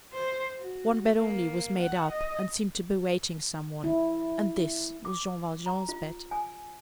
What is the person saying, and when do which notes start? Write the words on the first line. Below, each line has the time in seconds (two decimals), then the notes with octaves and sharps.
One bed only was made up, and seemed to be waiting some one, and this was Jean Valjean's bed.
0.13 C5
0.59 F#4
1.16 A#3
1.80 F#5
2.10 D#5
3.84 E4
5.05 D6
5.66 A#5
5.89 F4
6.31 G#5